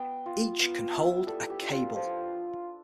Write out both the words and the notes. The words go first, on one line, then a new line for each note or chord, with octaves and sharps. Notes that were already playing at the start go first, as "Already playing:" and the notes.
Each can hold a cable.
Already playing: B3 G5
F4
B3 F5
E4 E5
G3 A4
G4
D4 F4
F4
F3 F4